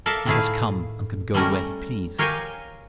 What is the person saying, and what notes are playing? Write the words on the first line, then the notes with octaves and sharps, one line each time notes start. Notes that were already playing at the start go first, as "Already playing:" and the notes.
He has come and can go when he please.
A4 A#4 D5 E5 F5 A5
A2 D#3 A3 E4 G#4 F5
G3 A3 C#4 A#4
G4 A#4 C#5 F5 G5 G#5